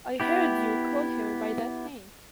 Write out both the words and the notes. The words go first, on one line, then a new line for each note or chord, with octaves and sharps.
I heard you call her by that name.
B3 E4 G4